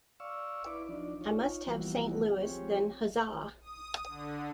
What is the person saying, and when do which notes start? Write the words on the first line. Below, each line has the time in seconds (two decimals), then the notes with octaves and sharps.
I must have Saint Louis-then Huzza!
0.20 D5 F5 C#6 E6
0.66 E4 B4 D5 D6
0.89 F3 D4 D#4 D5
1.21 D#4 F4 C#5
1.67 E3 F3 G3 A#3 B3 F#4
2.41 F3 C4 G4 G#4 C#5
3.61 D#6
4.07 D3